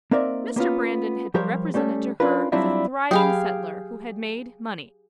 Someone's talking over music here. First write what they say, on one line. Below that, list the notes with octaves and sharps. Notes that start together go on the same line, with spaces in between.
Mr. Brandon had been represented to her as a thriving settler who had made money.
A#3 C4 D#4 A#4 D5 E5
A#3 B3 C#4 F4
F3 G3 G4 A#4 C5 C#5
G3 A3 C#4 A4
C#4 D4 F4 A#4 B4
F#3 G3 C4 D4 E4 F4
F#3 G4 G#4 F5 B5